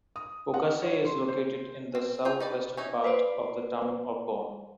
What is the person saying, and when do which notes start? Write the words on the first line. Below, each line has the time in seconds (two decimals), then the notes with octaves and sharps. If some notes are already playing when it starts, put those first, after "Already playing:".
Pocasset is located in the southwestern part of the town of Bourne.
0.16 D#6
0.54 F#5
0.82 C#5
1.05 C6
1.28 C5
1.95 C4
2.25 F4 G5
2.40 D#4 B4 D5
2.77 C#4 D#4 E4
3.04 B4 C5 D5